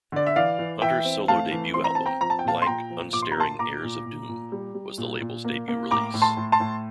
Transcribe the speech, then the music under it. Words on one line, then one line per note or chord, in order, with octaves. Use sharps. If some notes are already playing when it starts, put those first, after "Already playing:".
Hunter's solo debut album "Blank Unstaring Heirs of Doom" was the label's debut release.
D3 D5
E5
E3 D5 F5
E3
E3 E5 G5
C4
A3 F5 A5
E3
C4 C6
A#5
C4 A5
G5 A#5
F3 A#5
A5
G5
A#2 F5 A5
C6
A#2 G5 A#5
F3
A#2 D6
C6
A#5
A#3 A5 C6
A#2 A#5 D6
A#2
A#2
A#2
G3
G3
A#2
A#2
A#3
A#3
A2 A#5 D6
A2
A5 C6
A2
A5 C6
A2